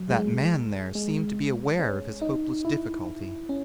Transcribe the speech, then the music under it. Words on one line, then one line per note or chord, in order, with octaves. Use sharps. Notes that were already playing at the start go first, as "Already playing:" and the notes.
That man there seemed to be aware of his hopeless difficulty.
Already playing: F#3
G#3
G#3
C#4
D#4
E4
C#4